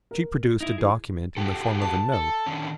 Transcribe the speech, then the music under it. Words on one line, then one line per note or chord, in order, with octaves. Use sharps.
She produced a document in the form of a note.
A#4
D#4 E4
E3 G#4
F#4 G4 A4
A5
A4
D3 D#3 C#4